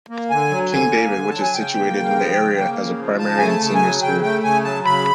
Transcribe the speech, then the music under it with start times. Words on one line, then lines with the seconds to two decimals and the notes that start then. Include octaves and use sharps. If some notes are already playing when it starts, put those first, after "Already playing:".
King David which is situated in the area has a primary and senior school.
0.09 A#3
0.30 D3 G#5
0.51 F#3
0.71 D3 G#5
0.92 A#3
1.12 D3
1.29 F#3 A5
1.41 G#5
1.54 C#3 G5
1.75 A#3
1.96 C#3
2.16 F3
2.37 C#3
2.58 A#3
2.78 C#3
2.99 F3
3.19 C#3 A5
3.38 A3 G#5
3.47 A5
3.60 C#3
3.66 A5
3.75 G#5
3.82 F#3
4.02 C#3 G5
4.23 A3 G5
4.43 C#3 G#5
4.64 F#3 A5
4.85 C#3 B5